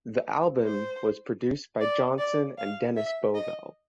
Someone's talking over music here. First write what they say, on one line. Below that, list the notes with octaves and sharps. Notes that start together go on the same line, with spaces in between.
The album was produced by Johnson and Dennis Bovell.
C5
D5
D5
F5
E5
D#5